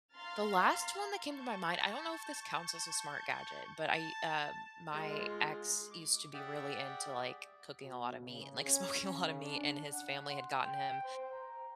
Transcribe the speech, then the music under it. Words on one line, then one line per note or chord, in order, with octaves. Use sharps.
the last one that came to my mind, I don't know if this counts as a smart gadget, but I, uh my ex used to be really into, like, cooking a lot of meat and, like, smoking a lot of meat, and his family had gotten him
F5 A#5 C6 F6 A6
A5 C#6 G6
A5
G#3 F4
D6
G4 G#4 D5 E5 F#5 G5
B2
C#3
C#4
C#3
D4
F#5
C6
G5
C5
A#5